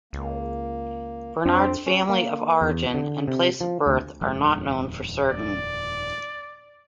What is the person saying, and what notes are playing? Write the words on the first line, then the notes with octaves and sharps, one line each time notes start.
Bernard's family of origin and place of birth are not known for certain.
C#2 A#3
F2 C4 D4
C#4
A#3
E2
D3
C3
F3
D2
D#1 F2 G#3
D5